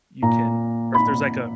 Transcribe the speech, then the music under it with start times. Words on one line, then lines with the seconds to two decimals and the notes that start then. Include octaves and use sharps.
you can, or if there's like a
0.22 A#2 A#5
0.94 B5